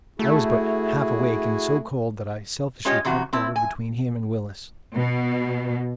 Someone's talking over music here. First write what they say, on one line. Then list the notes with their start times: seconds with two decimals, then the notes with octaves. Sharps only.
I was but half awake, and so cold that I selfishly crept over between him and Willis.
0.19 A3 E4 F#4 G#4
2.85 G#3 C#4 F4 G4 C#5 D#5
3.05 F2 C3 E3 F#4
3.33 C4 E4 A5
3.56 G#5
4.95 B2